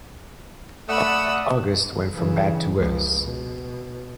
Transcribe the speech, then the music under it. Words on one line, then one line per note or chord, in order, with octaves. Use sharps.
August went from bad to worse.
A3 D5 E5 F#5 B5 D#6 E6
C#3 E3
C#2 F3
B2